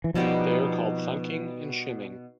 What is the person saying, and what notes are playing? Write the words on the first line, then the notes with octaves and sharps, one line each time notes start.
They are called thunking and shimming.
E3
B2 F3 G3 B3 D#4